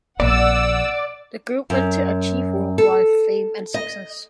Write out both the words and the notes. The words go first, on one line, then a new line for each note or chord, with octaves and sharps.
The group went to achieve world wide fame and success.
A#1 A#3 D5 F#5 E6
F#2
A4
D#5